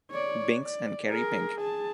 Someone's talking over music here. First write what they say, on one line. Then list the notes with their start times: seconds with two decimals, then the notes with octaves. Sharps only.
Binks and Kerry Pink.
0.11 C#5 D5
0.63 D5
1.06 G#4 A#4
1.57 G#4 A5